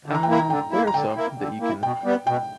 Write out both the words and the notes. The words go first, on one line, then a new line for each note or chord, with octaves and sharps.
Um, there are some that you can
D3
A#5
G5
A#3 E4 A#5
D3 G5
A#3 E4
A#5
D3 G5
A#3 E4
D3
A#3 E4
B2 G5
G3 B3
B2 G5